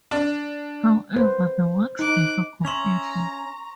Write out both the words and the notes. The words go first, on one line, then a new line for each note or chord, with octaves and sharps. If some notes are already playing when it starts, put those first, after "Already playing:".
However, the works differ completely.
D4
B4 C5
D#4 D6 F#6
C#4 E5 A#5 C6 C#6 F7